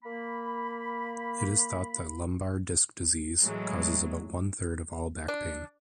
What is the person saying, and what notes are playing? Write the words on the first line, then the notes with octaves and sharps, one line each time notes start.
It is thought that lumbar disc disease causes about one-third of all back pain.
A#3 B5
A2 E3 F#3 G#3
D4